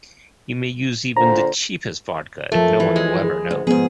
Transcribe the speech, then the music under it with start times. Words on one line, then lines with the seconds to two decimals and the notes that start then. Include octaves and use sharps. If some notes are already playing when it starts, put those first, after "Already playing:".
You may use even the cheapest vodka, and no one will ever know.
1.17 A#2 D3 C5 A#5
2.52 F3 A3 F4 A#4
2.80 E3
2.96 G#3
3.24 G#4
3.51 D2
3.67 G#2 F3 B3 G#4